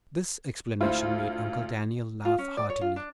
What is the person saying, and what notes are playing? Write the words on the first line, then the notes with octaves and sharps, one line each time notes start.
This explanation made Uncle Daniel laugh heartily.
D2 E4 F4 C5
F4
C#4
D5
C#5
F4
D4